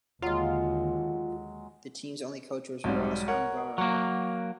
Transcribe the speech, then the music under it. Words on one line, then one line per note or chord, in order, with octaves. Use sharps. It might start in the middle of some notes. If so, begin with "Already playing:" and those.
The team's only coach was Ross Ongaro.
D#2 D3 F#3 G#3 F4
B1 G#2 G3
A#4 C#5 F#5
F#3 A#3 F#5